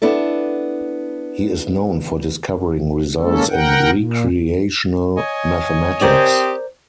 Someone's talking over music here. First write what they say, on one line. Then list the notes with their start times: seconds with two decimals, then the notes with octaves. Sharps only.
He is known for discovering results in recreational mathematics.
0.02 B3 D4 E4 A4
3.20 G#3 A#3 C#4 A4
3.50 A#4 F#5 G5
3.92 A#2
5.17 C#5 D#5 G#5
6.01 C4 G4 A#4 C5 D5 D#6